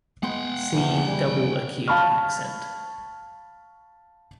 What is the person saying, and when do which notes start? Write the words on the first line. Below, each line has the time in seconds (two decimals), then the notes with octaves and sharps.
See double acute accent.
0.23 G#3 B3 F#5 G5 C6
0.73 E2 B2 F3 A#3
1.05 G3
1.88 F5 A5 B5 C#6 F6